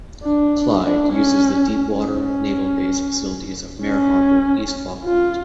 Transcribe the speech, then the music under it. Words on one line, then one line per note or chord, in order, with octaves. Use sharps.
"Clyde" uses the deepwater naval base facilities of Mare Harbour, East Falkland.
D4
D4
C#4
C#4
C#4
F4